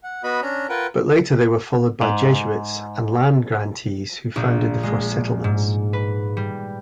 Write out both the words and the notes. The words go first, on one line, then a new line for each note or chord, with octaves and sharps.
But later they were followed by Jesuits and land-grantees who founded the first settlements.
F#5
B3 F#4 D#5 B5
C#4 D4 A#5
F4 A#4 B4 F#5 G5
G#2
A#1
G#3
G#2
B4
G3